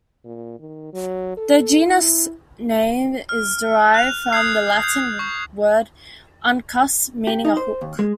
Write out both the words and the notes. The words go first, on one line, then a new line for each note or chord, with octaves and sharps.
The genus name is derived from the Latin word "uncus", meaning "a hook".
A#2
D#3
F#3
A4
E4
F6
F#6 F7
D#6 G6 G#6 C7
G6
C#6
G4
D#4
C5
D#2
G#3